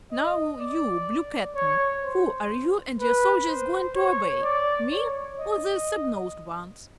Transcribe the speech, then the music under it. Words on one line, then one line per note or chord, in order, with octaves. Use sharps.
"Now, you Blue Cap'n, who are you and your soldiers going to obey--me or the snubnosed ones?"
D#5
D5
C#5
C5
B4
C5
C#5
D5
C#5
D#5